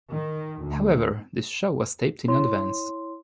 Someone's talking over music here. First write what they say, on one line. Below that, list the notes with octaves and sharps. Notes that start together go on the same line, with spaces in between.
However, this show was taped in advance.
D#3
D2
E4 C#5 C6